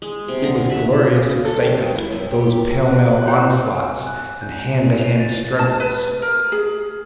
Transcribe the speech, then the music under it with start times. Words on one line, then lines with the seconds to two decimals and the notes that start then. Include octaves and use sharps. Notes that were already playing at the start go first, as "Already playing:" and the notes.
It was glorious excitement, those pell-mell onslaughts and hand-to-hand struggles.
0.02 G#3
0.28 C3
0.42 D3 A#5
0.70 B4 E5
1.16 C#3
1.45 A4
1.63 G4
1.78 D#2
1.95 E4
2.11 F#2
2.32 G4
2.46 G4
2.87 F#5 F#6
3.26 E4 F#4 G4 C5 C#5 G5
3.75 G#5
4.07 F#6
4.41 G6
4.98 F7
5.20 A6
5.59 A5
5.80 B4
6.22 A#4
6.52 G#4